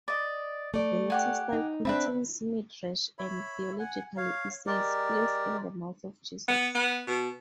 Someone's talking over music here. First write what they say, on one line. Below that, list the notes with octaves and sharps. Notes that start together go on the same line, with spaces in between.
The later style contains midrash and theological essays placed in the mouth of Jesus.
D5 D#5
A3 D5
G4 F#5 G#5
D#4
C4 D4 B4 E5 B5
C#5 E5 B5
F#5 G#5
C#5 F5
G#3 G4 A#4 D5
B3
B3
B2